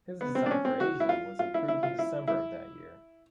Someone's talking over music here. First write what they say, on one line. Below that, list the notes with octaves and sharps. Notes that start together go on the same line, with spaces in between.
His design for "Asia" was approved in December of that year.
B3
C4
D4
C#4
C4
F#4
E4
F4
F4
E4
E4
F4
E4
E4